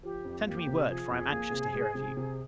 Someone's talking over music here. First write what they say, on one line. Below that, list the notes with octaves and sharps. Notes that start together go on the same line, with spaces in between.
Send me word, for I am anxious to hear of you.
F3 G4
F2
A#3 G4
C3
F3 G#4
F2
A#3
C3
G#3
C3
C3